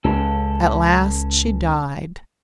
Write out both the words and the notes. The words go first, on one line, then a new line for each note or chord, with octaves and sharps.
At last she died.
C#2 C#4 A4